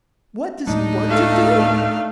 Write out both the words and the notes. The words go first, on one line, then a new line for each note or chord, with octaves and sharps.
"What does he want to do?"
D2 A2 G#3 D4 D#4
A3 F5